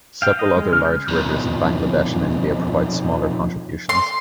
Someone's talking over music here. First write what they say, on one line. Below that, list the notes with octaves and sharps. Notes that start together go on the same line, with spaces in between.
Several other large rivers in Bangladesh and India provide smaller contributions.
F5 G5
D#5
G#3
C#3 F6
G6
B1 F2
C6